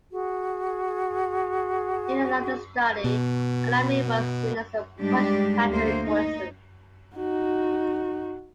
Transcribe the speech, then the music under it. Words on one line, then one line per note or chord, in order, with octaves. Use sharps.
In another study, anomie was seen as a "push factor" in tourism.
F#4 G#4
B2
G#2 G3 G#3 D4 G4
D2 A3 A#3 C5
D#4
D#4 F#4